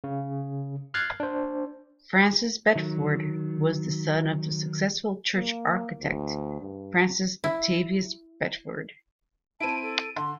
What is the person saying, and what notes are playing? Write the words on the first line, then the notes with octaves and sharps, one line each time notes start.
Francis Bedford was the son of the successful church architect Francis Octavius Bedford.
C#3
F6 F#6 G#6 A6 C7
D4 C5
D#3 F#3
A#3
D2
G2
E4
C4 E4 A5 D7 D#7
A4
D3 C6